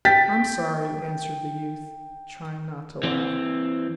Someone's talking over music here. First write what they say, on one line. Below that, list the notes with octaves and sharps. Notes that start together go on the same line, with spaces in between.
"I'm sorry," answered the youth, trying not to laugh.
G5 A6 B6
E3 C4